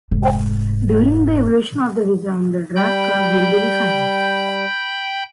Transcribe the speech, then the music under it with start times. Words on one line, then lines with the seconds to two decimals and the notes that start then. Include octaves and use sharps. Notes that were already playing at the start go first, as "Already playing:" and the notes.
During the evolution of the design the drag curve will be refined.
0.11 F1 G#2
2.76 G3 G5 B5 G6